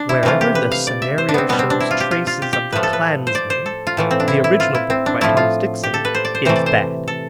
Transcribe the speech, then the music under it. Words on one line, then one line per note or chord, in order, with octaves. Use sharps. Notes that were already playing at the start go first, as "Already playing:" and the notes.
Wherever the scenario shows traces of The Clansman, the original book, by Thomas Dixon, it is bad.
Already playing: D4
E4
C3 E3 A3 F4
G4
B4
F5
D5
E5
C5
D4
B3 C4
B2 G3 B3
C4
D4
E4
F4
G4
F4
F4
G4
G4
A2 F3 A3 B4
A4
B4
C5
D5
C5
A4
F4
A2 E3 A3
C4
D4
E4
E4
F4
E4
C4
D4
A2 F3 A3 E4
F4
G4
A4
B4
C5
D5
C5
C3 E3 A3 C5
D5
C5
A4